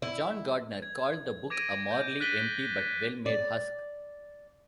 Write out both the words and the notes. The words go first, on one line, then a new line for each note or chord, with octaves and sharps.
John Gardner called the book a morally "empty but well-made husk".
E4
G#6
D6 G#6 A#6 D7 D#7
G6
F#6 A6 B6 D#7 F#7 G7
D5